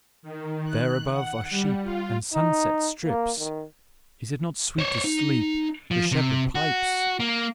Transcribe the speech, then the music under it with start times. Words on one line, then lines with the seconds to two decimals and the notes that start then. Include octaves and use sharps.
There above are sheep and sun-set stripes: is it not sweet to sleep--the shepherd pipes?
0.22 D#3
0.64 F#6
1.09 F#5
1.50 G3
1.82 F4
2.34 D#4
3.05 A#3
3.38 D#3
4.79 C5 C#5
5.04 D#4
5.91 F3
6.12 C3
6.55 F#4
7.20 A#3